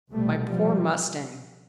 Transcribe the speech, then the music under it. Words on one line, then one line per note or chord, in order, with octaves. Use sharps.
"My poor mustang!"
C2 B2 G3 A3
F3 G3